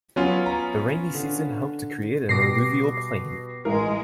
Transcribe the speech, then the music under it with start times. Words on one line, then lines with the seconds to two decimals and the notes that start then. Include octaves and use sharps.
The rainy season helped to create an Alluvial plain.
0.16 F#3 B3 C#4 F4
0.46 A#5
1.15 D3
2.29 B2 G3 D6 A#6 C7
3.65 A1 G#3 A#4